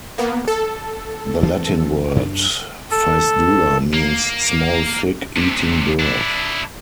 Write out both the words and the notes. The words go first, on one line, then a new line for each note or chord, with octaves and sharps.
The Latin word "ficedula" means "small fig-eating bird".
A#3 B3
A4
E3 F3 C4
F#2 D4
A4
A#3
D2 C3
D4 E4